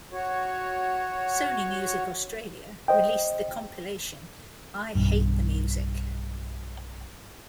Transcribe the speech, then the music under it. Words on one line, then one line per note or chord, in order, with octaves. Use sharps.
Sony Music Australia released the compilation "I Hate the Music".
F#4 C#5
C5 D#5 G5
B1 G2